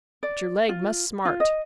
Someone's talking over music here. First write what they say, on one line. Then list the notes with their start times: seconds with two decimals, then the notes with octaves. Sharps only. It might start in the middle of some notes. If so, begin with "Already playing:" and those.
"But your leg must smart."
0.23 D5
0.69 F4
1.25 F4
1.40 D#5